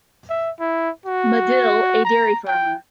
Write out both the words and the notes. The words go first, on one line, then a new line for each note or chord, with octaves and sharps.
Madill, a dairy farmer.
E5
E4
F#4
A#5
G5